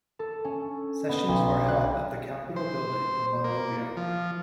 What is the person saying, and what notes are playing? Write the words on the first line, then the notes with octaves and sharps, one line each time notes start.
Sessions are held at the Capitol Building in Monrovia.
A4
C#4
B3
B1
F#6
C5
A#3
F3